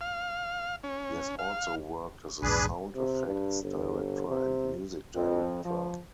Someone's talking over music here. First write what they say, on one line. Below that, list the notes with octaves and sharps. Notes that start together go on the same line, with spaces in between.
He has also worked as a sound effects director and music director.
F5
C#4
F5
A#1 E2 G#2 D4 G#4 B4
C3
G2
G1
C3
F2
F3